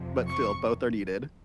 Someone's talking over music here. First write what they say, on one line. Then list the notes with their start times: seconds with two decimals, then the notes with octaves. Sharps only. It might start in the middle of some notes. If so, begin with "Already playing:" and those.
But still, both are needed.
Already playing: F2 C3 F3
0.27 C#6